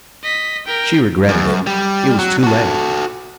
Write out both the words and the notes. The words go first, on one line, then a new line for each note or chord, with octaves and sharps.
She regretted it. It was too late.
D#5 B6
A#4 G5
F#2
G3
F#3
F#4 A4